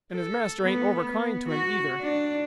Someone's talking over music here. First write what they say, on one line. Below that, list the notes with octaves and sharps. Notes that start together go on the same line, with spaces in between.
And his master ain't over kind to him either.
A4
B3
B3
F#4
D4